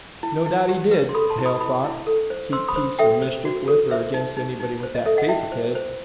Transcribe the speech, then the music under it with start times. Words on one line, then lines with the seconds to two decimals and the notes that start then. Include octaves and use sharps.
No doubt he did, Hale thought, keep peace or mischief with or against anybody with that face of his.
0.23 E4
0.46 E4
0.69 G4
0.91 B4
1.09 C6
1.14 A4 B5 D#6
1.30 A5 C6
1.38 E4
1.46 B5 D#6
1.60 E4 B5 D#6
1.84 E4
2.07 A4
2.30 C5
2.52 C5 C6 E6
2.68 B5 D#6
2.76 C5
2.99 A4 E5 G5
3.22 C5
3.45 F#4
3.68 A4
3.91 C5 E5
4.14 D#4
4.37 D#4
4.60 D#4
4.83 C5
4.95 D#5
5.06 A4 E5
5.17 D#5 F#5
5.29 E4 E5 G5
5.52 C5
5.75 C5